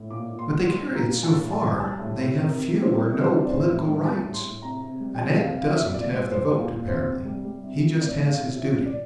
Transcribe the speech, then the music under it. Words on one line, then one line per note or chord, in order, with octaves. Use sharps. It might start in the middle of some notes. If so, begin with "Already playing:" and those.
But they carry it so far, they have few or no political rights. An ant doesn't have the vote, apparently: he just has his duties.
Already playing: A2
A#2 D6
A#2
C6
G3
G3 C6
A#2
A#5
A#2
A2 A5
A2
A5
G3
G3 A5
A2
A2
C3 A#4
C3
G3
C5
G3 A#4
C3
C5
C3
D5
A2 C5
A2
G3
G3 A5
A2
C6
A2
C3 A#5
C3
G3
G5
G3 A5
C3 F5
C3 F5
A#2 E5
A#2 D5
G3 C5
G3 C5
A#2
A#2
C3 C5
C3
G3
G3
C3
C3
A2 D5
A3
F5
A2
F3 E5
A2
D5